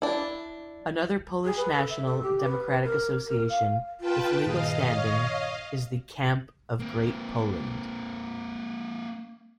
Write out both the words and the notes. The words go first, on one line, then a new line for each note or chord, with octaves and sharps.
Another Polish national-democratic association with legal standing is the Camp of Great Poland.
D4 E4
G#4
B4
A4
E5
A4
G4
B4
A#4
A#4
F5
F4 B4 G5 A5
G2 A#2 D#3 G#4 D#5 F5
C#5
A#3 C4